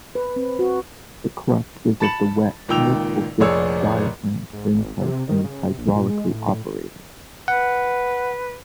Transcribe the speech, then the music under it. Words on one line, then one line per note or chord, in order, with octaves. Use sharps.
The clutch is of the wet, multiple-disc diaphragm spring type and is hydraulically operated.
B4
C4
F#4
A5 B5 A6 C#7 E7 F#7
C#2 A#2 D#3 G5 E6 F7
F1 A#1 G#4 C#5 D5 E6
G#2
G#1
C3
D#3
C#3
C3
A#1
A#2
G#3
A2
B4 F#5